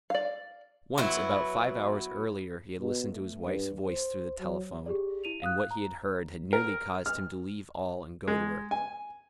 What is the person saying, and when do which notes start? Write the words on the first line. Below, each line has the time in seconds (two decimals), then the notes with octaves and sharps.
Once, about five hours earlier, he had listened to his wife's voice through the telephone, and what he had heard had nearly caused him to leave all and go to her.
0.10 D5 F5
0.98 F#3 B3 E4
2.81 B2
3.12 A3
3.45 G2
3.87 C5
4.40 F#3
4.86 G4 G#4 D5
5.24 E4 D#7 F7
5.42 F5 D#6 F#6
5.71 A#5
6.53 A#4
7.06 F6
8.28 G#3
8.71 G#5